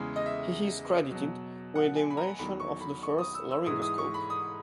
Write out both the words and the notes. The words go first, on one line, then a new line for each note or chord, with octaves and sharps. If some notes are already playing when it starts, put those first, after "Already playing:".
He is credited with the invention of the first laryngoscope.
Already playing: E2 C#3 E3 G#3
D#5
E5
B2 F#3
F#5
G#5
B5
A#5
E2 D#3 F#3 B5
C#6
B5
C#6
D#6
E6
E6
G#2 E3 G#3 D#6
D#6
C#6
B5
D#6